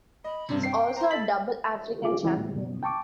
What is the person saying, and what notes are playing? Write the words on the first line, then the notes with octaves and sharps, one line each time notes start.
He is also a double African champion.
D#5 B5
G2 C3
G5 C7
C5 A#5 C6
A4 B6 F#7
F4 G#4 D6
C#2 E3 E4
A2
F#2 B2
G5 A5 C#6 D6